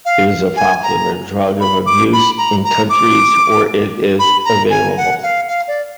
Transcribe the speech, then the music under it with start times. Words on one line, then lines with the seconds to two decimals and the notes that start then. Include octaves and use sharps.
It is a popular drug of abuse in countries where it is available.
0.05 F5
0.56 G#5
0.83 A#5
1.60 B5
1.86 D6
2.13 B5
2.38 A#5
2.64 A#5
2.90 D6
4.19 B5
4.45 A#5
4.70 G#5
4.97 F#5
5.23 F5
5.48 F5
5.68 D5